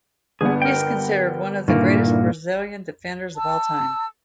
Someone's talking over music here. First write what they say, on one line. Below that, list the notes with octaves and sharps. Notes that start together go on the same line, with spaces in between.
He is considered one of the greatest Brazilian defenders of all-time.
G1 G3 B3 G#4
A#4 G5
G2 A#2 D3 D#3 A#3 E4
A5 E6